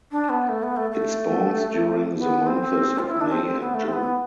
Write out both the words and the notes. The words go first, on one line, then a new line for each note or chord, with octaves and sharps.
It spawns during the months of May and June.
D4
B3
A3
B3
A3
A3
B3
C4
F4
E4
D4
C4
C4
B3
A3
C4
B3